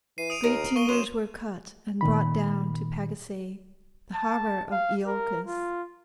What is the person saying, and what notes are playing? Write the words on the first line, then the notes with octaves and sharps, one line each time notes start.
Great timbers were cut and brought down to Pagasae, the harbor of Iolcus.
E3 C7 D#7
D#6 D7 F7
D#2 A#4
A#3 C#6 D#7 G7
F#2 C5 E7 F7
A#2 D#3 B5
A5
F5
A#4
F4